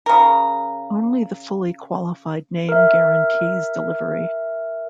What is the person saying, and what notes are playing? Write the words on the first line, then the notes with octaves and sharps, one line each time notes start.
Only the fully qualified name guarantees delivery.
C#3 A#4
A#4 E5